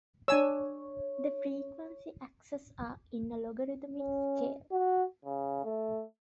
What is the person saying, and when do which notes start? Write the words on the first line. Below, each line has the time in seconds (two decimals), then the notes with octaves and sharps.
The frequency axes are in a logarithmic scale.
0.28 D4 C#5 G#5 E6
4.00 C#4
4.72 F#4
5.25 C#3
5.64 A3